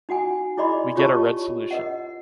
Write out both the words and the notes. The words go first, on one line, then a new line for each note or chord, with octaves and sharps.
We get a red solution.
D#4 F#4 F#5 G#5
E4 G#4 D5 D#5 B5 C6
F4 G4 C#5 D#5 A5 C#6
A#4 D#5 F#5